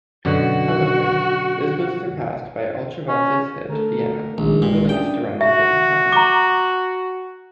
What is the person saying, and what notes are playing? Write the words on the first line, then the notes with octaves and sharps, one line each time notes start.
However, this was surpassed by Ultravox's hit "Vienna", released around the same time.
F#2 B2 D3 F#4
C#4
D3 A3 A4 A#4
A#1 D#3 G#3 G#4
A#2 G#3 G4 B4
C#4 D4 E5 G5 D#6
F#4 E5
A#5 D6